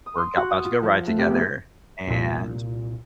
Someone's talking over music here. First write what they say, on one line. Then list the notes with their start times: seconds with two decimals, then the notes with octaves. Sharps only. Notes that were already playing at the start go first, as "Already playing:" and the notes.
were g about to go ride together, and
0.06 D#6
0.18 C6
0.37 F#4
0.50 D#6
0.65 F4
0.83 F3
1.07 A3
1.19 C3
1.30 E2
2.07 C2 A#2